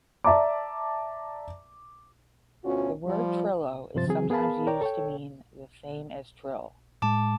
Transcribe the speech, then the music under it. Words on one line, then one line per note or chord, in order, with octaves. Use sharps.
The word "trillo" is sometimes used to mean the same as trill.
D5 E5 A5 A#5 D6
D2 B2 C#4 F4 F#4
F3 G3
G2 C3 F3 C5 A6
C#3 E3 F#3 C4 G#4
B3 G#4 A#4 F5 A5 B5
A#4 C#5 D5 G5 A#5
A4 C#5 G5
A2 G#3 A5 D6